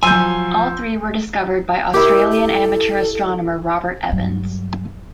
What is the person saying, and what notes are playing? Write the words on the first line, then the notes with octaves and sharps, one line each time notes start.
All three were discovered by Australian amateur astronomer Robert Evans.
F3 F#3 G#5 C6 E6 G6
E4 G4 A#4
A4
G2 F#3